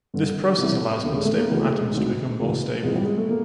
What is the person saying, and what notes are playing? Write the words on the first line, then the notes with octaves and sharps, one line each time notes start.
This process allows unstable atoms to become more stable.
G2 D3
C2 C3 E3
D#2 D3 A#3
G#3
A3
A#3
D2 C#3 E3 A3
G#3
D2 C3 D#3
D2 C#3 E3
F2 C3 E3 G#3
G3
G#3
A3
A#3